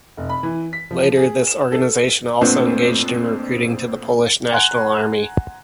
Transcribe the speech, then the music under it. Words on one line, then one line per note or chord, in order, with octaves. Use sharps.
Later this organization also engaged in recruiting to the Polish National Army.
F1
B5
E3
B6
F3
G#4
E7
A4
F2 A#2 A3 B3 C4 D4
F#5 G#5 A#5 C6 F#6